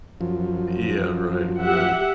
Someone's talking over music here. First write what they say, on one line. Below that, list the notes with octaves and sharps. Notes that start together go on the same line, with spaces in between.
Yeah, right, right.
F#2 F3
G4 E5 F#5